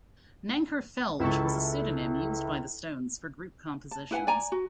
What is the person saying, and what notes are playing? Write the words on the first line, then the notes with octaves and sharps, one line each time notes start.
"Nanker Phelge" was a pseudomyn used by the Stones for group compositions.
C#2 E4 A4 C#6
A5
E4 B4 F#5 G#5
D5 G#5 A#5
F#4